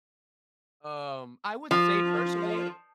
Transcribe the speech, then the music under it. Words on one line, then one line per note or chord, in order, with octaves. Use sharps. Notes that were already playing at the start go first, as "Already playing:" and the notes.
Um, I would say, personally
F3